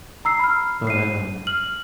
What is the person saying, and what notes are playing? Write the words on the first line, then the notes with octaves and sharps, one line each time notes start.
But, um,
A#5 E6 C7
B5 F6
C7 D#7
F6 F#7